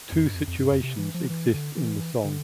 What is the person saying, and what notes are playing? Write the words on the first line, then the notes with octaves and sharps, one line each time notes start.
Two situations exist in the song.
F2
G2
F2
F2
G2
F2
C3
E3
F3
E3
D3
E3
D3